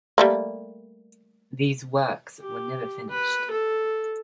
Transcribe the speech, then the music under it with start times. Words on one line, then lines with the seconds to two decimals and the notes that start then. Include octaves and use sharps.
These works were never finished.
0.18 G3 A3 A#3
2.42 G4
3.10 B4
3.51 A4